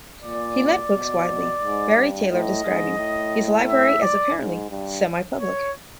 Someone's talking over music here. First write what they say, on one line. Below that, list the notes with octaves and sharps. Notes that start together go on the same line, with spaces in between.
He lent books widely, Barry Taylor describing his library as apparently "semi-public".
A#2 D5
B2
G#2
G2
A2 D#5
G#2
A2
E5
D5
G#2
G2
C#5